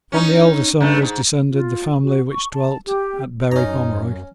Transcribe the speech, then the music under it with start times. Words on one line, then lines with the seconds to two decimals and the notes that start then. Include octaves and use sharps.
From the elder son was descended the family which dwelt at Berry Pomeroy.
0.12 C#4 D#4
0.81 G2 A3
1.02 G#2
1.50 F4
2.03 F#4
2.31 C#6
2.51 A5
2.85 G4
3.52 F#2 C#4 D#4 A#5